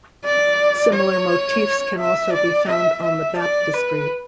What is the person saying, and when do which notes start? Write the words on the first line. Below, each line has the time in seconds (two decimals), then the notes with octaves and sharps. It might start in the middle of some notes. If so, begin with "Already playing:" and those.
Similar motifs can also be found on the baptistery.
0.25 D5
0.94 C#5
1.99 E5
2.34 D5
2.69 E5
3.03 E5
3.39 D5
3.74 B4